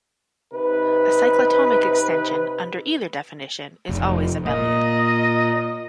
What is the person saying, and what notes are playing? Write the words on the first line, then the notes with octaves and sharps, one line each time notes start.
A cyclotomic extension, under either definition, is always abelian.
C3 D#4 B4
F1
A#2 D#5